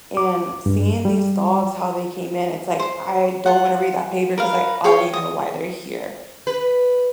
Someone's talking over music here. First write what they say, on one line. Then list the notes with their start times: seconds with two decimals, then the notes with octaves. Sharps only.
and seeing these dogs, how they came in, it's like, I don't wanna read that paper ‘cause I already know why they're here;
0.17 D6
0.66 G2
1.05 G3
2.79 C5
3.46 F4 F#5
4.38 A#4 B4 F5
4.84 G#4 C#5 F5 G5
5.13 D#6
6.47 B4